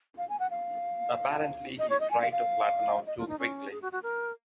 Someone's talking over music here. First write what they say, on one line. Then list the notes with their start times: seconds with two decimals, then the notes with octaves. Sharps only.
Apparently he tried to flatten out too quickly.
0.18 F5
0.29 G#5
0.40 F#5
0.51 F5
1.79 D#5
1.90 C#5
2.00 D#5
2.11 G#5
2.21 F5
2.32 F5
3.07 D#5
3.17 F4
3.28 D#4
3.39 C#4
3.71 G#4
3.82 F#4
3.92 F#4
4.03 A#4